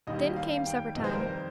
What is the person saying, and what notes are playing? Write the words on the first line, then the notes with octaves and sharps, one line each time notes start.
Then came supper-time.
D#2 D#3 G3 D#5
F5
G5
F2 D#3 G3 D#5
C5
A#4
C5